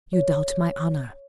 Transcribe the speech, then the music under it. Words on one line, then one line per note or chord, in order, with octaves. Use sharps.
'You doubt my honour?
C#5